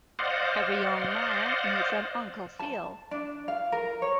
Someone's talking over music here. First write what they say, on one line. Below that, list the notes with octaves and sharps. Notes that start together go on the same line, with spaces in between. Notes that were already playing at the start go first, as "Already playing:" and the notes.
Every young man needs an Uncle Phil.
C5 D5 D#5 F5 F#5
A5
D4
F5
A#4
C#5